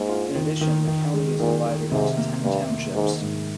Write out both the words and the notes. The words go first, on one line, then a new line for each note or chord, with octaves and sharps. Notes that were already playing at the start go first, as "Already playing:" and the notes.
In addition, the county is divided into ten townships.
Already playing: G#2 A#3
F4
D#3
D#3
D#3
G#3
A#2 D#3
D#3
G#2 C3
A#3
G2 A#3
A#3
G#2 D#3
G#2